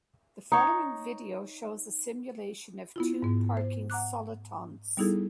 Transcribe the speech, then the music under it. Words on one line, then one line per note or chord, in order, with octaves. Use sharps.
The following video shows a simulation of two parking solitons.
D#4 C#5
B3 E4 F4
G#2 B3
C5
F#5 A#5 D6 F#6
G3 B3 D#4 E4 G#4 A4